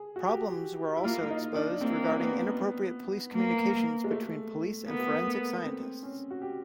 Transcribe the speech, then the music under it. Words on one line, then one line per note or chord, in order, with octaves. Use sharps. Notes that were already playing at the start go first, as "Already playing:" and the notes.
Problems were also exposed regarding inappropriate police communications between police and forensic scientists.
Already playing: G#4
F#4
G4
E4
A#3 F4
D#4
D4
A#3 C4
C4
B3
A#3
G#3
A3
A#3 B3
A3
A#3
C4
C#4
F#4
G4